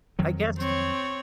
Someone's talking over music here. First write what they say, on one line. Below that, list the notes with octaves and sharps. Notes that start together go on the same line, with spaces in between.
I guess
F2 D#3 F#3
C4 C#5